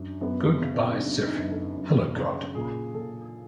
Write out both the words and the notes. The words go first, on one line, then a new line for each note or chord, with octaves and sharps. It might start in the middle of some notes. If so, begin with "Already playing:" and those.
Goodbye Surfing, Hello God!
Already playing: F#2 F#3 D4
F#2 B3
C4
C#3
C#4
D#4
F#3 D4
D#4
F#2
A4
F#2
C#3
A#2 G#4
A#2 A4